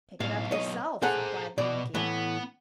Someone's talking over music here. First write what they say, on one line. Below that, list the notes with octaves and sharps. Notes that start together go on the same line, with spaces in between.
"Pick it up yourself," replied the monkey.
B1 A2 F5
C#5 D#5
G#4 A4 C5 F#5 A#5
B2 B3 D5
A2 E3 B3